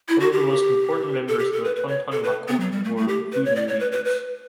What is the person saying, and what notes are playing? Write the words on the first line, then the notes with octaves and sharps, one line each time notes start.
Some of the most important members of the "Tonton Macoute" were Vodou leaders.
E4
F#4
G4
A4
G4
A4
B4
B4
C#5
A4
B4
B3
F#3
G3
A3
A3
G4
B4
C#5
D5
C#5
B4
B4
B4